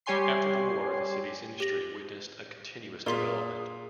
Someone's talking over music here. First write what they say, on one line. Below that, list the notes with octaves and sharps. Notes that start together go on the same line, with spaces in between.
After the war, the city's industry witnessed a continuous development.
G3 G4 C#5 G#5 C6 C7
G4 A#6
A#2 G#4 A#4 C6 B6